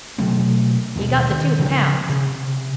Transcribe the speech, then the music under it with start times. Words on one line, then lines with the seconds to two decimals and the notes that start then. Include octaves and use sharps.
He got the two pounds.
0.18 B2 F#3 A3 B3
0.96 D#2 B2
1.31 D#3
1.58 D2 C#3 F3 B3
2.09 C3